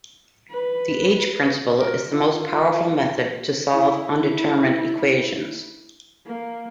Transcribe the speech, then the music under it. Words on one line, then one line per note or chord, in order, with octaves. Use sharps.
The h-principle is the most powerful method to solve underdetermined equations.
B4
A#4
F4
E4
A#3